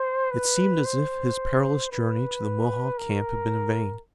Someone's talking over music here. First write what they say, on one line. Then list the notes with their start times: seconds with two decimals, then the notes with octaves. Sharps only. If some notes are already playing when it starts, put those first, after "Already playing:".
It seemed as if his perilous journey to the Mohawk camp had been in vain.
Already playing: C5
0.31 B4
0.85 C5
1.91 B4
2.98 A#4